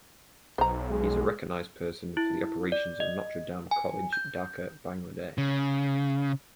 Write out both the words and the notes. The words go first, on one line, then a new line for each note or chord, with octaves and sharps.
He is a recognized person for the operations of Notre Dame College, Dhaka, Bangladesh.
B1 C5 A#5
G#3
E4
D5
D#5
G#5
G6
C#3